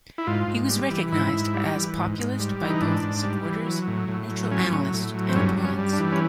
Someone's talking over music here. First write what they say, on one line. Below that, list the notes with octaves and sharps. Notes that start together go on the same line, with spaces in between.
He was recognized as populist by both supporters, neutral analysts, and opponents.
E4
G#2 F4
G#2
G3
E3
G#2 E4
G#2
G3
E3
G#2
G#2
G3
E3
D#4
G#2 D4
G#2
G3
E3
F#3
A2
A2
F#3
F#3 C#4
A2
A2
F#3
C4
G2 C#4
G2
C#4
G3
D4
E3
C#4